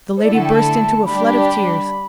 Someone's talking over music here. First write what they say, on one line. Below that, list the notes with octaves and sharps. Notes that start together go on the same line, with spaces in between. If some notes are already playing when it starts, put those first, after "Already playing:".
The lady burst into a flood of tears.
C5
D3 A3 E4 A4 D5
F#5
G5
A5
G3 D4 G4 B5
B5